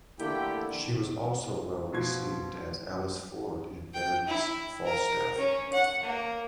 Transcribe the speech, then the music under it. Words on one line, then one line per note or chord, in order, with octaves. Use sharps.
She was also well received as Alice Ford in Verdi's "Falstaff".
D3 A3 A#3 E4 G4 G5
B2 F3 C6 G#6
G5
E4
A#4
C#4
F#5
A#3